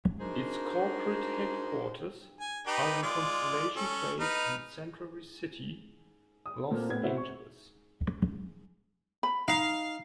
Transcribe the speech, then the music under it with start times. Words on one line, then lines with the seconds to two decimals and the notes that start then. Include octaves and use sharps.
Its corporate headquarters are in Constellation Place in Century City, Los Angeles.
0.20 D4 D#4 F#4 G#4 A#4 C5
2.40 G#5
2.67 D#4 G4 B4
3.02 G#3 F4 D5
3.76 C#4 A4
4.20 D#4 B4 F6
6.46 D#6
6.71 A#2 A#3 C4 A4
6.89 A2 B3 G#6
7.03 C4 E4 F#4
7.17 C#6
9.23 B5
9.48 D#4 F5